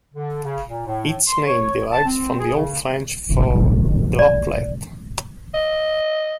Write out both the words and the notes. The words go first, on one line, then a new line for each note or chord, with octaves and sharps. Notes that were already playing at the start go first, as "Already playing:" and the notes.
Its name derives from the Old French for "droplet".
D3
C#3
A#2
A2
C6
C#5
A5
C4
G#4
C#3
D5
D#5